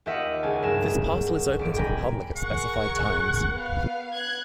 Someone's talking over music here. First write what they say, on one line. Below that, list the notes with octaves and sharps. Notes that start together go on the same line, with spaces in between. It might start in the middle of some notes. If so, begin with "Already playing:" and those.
This parcel is open to the public at specified times.
D#2 F4 G4 D#5 E5 F#5
C#2 G#5 A5
C2 G2 F#3 G#4 A#4 E7
D#1 D5 D7
G5 G#5 A#5 B5
G#4 A#4 F#5 C#6
B3 F5
F#6 G#6